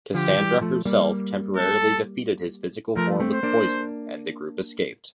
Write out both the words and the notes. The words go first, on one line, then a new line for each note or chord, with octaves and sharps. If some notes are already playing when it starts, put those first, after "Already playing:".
Cassandra herself temporarily defeated his physical form with poison, and the group escaped.
D3 F3 G4
E3 G3
F3 A3
G3 A#3
A4
F3 A3 A#4
A3 C4
C5
A#3 D4